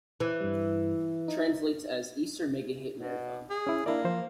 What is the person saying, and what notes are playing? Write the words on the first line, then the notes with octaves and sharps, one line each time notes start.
Translates as Easter Mega Hit Marathon.
E3
G2 G3
D#4
B2
G#4
C#4 E4
A#3 D4 E4 D5
F3 C5